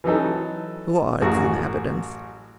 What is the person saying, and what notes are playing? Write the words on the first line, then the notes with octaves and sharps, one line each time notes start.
Who are its inhabitants?
E3 F#3 D#4 A4
A1 F#2 F#4 G#4 C#6